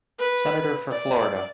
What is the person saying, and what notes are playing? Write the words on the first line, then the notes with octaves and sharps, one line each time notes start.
Senator for Florida.
B4
D5